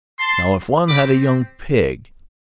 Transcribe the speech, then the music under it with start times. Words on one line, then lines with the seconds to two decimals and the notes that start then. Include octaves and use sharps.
Now, if one had a young pig!
0.19 A5 C6
0.88 C4 G4 B5 D6